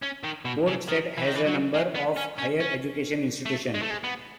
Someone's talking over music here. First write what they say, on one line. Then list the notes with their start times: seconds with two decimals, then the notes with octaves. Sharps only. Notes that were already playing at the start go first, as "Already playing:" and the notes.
Port Said has a number of higher education institutions.
0.02 C#4
0.23 D#3
0.45 B2
0.67 C#3
0.88 D#3
1.17 E3
1.26 D#3
1.35 E3
1.46 F#3
1.74 G#3
1.96 B3
2.17 C#4
2.38 C#4
2.60 C#4
3.46 A3
3.74 G#3
3.82 A3
3.91 G#3
4.04 B3